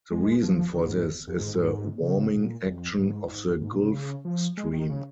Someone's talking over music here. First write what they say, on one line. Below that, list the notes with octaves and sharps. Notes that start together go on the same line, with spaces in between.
The reason for this is the warming action of the Gulf Stream.
G#3
F3
D#3
G#2
G#2
F2
G#2
G#2
C#3
A#2
F2
G#2
G#2
G#2
A#2
C#3
C#3
F3
G#3
D#3
C#3